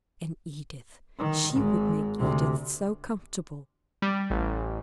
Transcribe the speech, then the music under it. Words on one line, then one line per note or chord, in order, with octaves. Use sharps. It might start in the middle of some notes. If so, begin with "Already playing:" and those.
And Edith--she would make Edith so comfortable!
D#3
G#1 G#2
D2 C3
G3
A1